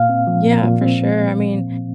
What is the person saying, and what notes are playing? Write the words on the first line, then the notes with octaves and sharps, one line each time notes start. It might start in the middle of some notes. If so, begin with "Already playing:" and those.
Yeah. For sure, I mean,
Already playing: A#2 A#3 F5
C4
F3
A#2
A#2
C4